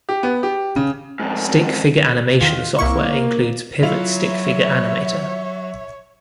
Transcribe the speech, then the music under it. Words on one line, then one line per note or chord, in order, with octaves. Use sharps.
Stick figure animation software includes Pivot Stickfigure Animator.
G4
B3
G4
C#3
F2 G#2
E2 D#3 F4
C2 A#3 E4 C#6
F#3 E4 F4 C#5 E5 F7